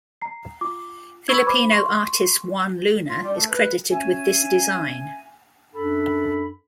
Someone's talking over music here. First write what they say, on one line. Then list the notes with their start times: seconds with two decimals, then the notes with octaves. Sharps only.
Filipino artist Juan Luna is credited with this design.
0.22 A#5 C7
0.61 F4 D6
1.28 B4 B5 C#6 E6 G#6
1.46 C5 B5 D6
1.71 C6 C#6
3.09 F4
3.23 G3
3.36 A3
3.49 B4
3.91 C#4 E5 G#5
5.75 F#2 D4 A4 B5